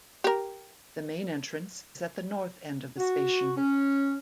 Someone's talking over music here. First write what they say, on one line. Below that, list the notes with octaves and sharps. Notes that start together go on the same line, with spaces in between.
The main entrance is at the north end of the station.
G4 A#4
F#4
C#4